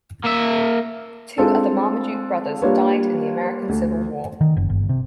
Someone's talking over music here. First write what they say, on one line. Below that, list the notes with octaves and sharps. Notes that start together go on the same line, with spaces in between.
Two other Marmaduke brothers died in the American Civil War.
A#3 E5
G#3 C4 D4 F4 G#4 A4
G3 A#3 D4 F4 B4 C#5
D2
D#3
F#1
G1
C3